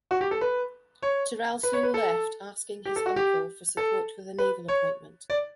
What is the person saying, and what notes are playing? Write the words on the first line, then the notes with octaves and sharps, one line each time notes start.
Tyrrell soon left, asking his uncle for support with a naval appointment.
F#4
G4
A4
B4
C#5
B4
C#5
B4
A4
G4
A4
F#4
G4
A4
B4
C#5
D5